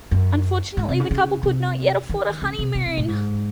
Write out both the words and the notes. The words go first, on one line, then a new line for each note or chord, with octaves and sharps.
Unfortunately, the couple could not yet afford a honey-moon.
F#2
G#2
C3
C#3
C#3
C3
D#3
C#3
C3
C3
C3
A2
G#2